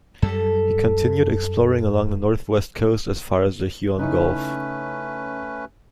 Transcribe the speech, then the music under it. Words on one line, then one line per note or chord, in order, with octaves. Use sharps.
He continued exploring along the north west coast as far as the Huon Gulf.
F#2 G3 A4
C#3 A3 C#4 D#4 E4 B4